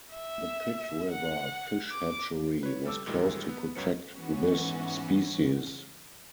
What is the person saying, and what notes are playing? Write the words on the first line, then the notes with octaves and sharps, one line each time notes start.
The Pit River Fish Hatchery was closed to protect this species.
E5
F#5
D6
B4 C#5
G3 A4 D6 E6
G2 A#2 D#3 E3 G3 G#3
B3
C#2 F#2 F#3 C#4 B4 C#7
G#2 E3 B3 C#4 F#4